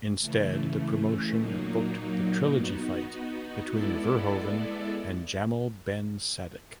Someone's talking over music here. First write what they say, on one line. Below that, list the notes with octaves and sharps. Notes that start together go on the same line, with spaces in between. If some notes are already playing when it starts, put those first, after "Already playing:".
Instead the promotion booked the trilogy fight between Verhoeven and Jamal Ben Saddik.
C#3 E3 A3
A#2 F#3 A#3 D#4
B3 D#4 F#4
G#3 B3 E4 A4 D5